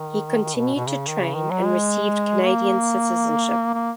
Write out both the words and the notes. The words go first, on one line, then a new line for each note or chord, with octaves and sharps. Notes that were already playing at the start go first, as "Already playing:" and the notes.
He continued to train and received Canadian citizenship.
Already playing: D#3
B2
B2
C#3
D#3
C#3
D#3
F#3
G#3
A#3
A#3